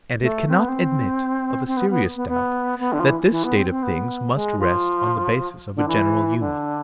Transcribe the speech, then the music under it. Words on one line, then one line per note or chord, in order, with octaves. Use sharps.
And it cannot admit of a serious doubt, that this state of things must rest on the basis of a general Union.
A3
C4
B3
C4
C4
B3
B3
B3
B3
B3
D3
F3
E3
E3
B3
C4
C4
B3
G#3
F3
D3
E3
D3